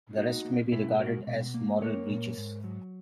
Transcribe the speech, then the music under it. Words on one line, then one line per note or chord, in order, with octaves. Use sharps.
The rest may be regarded as moral breaches.
A#3 D#4 F#4
A#3
B2 E4 G#4
G#4
G#3 F#4 A#4
B2
A#3
A#3 A#4 C#5
A#2
G#2
F#3